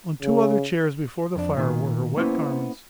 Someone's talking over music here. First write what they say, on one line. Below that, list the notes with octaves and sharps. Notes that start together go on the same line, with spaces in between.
On two other chairs before the fire were her wet garments.
C#3
F2 D4
A#2 D#3
A#3 B3 C#4 E4 C5